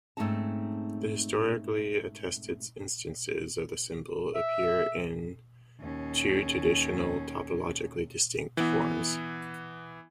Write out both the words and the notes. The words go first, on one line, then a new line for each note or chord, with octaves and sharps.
The historically attested instances of the symbol appear in two traditional, topologically distinct, forms.
G#2 A3 C4 C#4 D#4 A5
E5
D#2 C#4
E3 B3